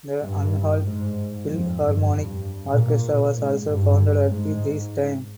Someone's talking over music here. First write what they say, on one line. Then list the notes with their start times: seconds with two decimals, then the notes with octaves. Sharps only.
The Anhalt Philharmonic Orchestra was also founded at this time.
0.21 G2
0.83 G#2
1.47 F2
1.78 G2
2.10 G2
2.72 A#2
3.35 G#2
3.67 G2
4.31 G#2